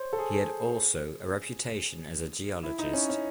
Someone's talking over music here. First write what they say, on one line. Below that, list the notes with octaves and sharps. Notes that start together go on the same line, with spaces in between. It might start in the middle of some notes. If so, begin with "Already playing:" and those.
He had also a reputation as a geologist.
Already playing: C5 C#5
A4
G#4
E4
D#4
C#4
C#4